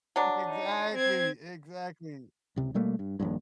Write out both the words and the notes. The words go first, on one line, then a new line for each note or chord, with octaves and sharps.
Exactly, exactly.
F#3 G#3 D4
D#4
C4 G#6
C#2 C3
B2 G3 A3 A#3
G2
D#1 A#1 G2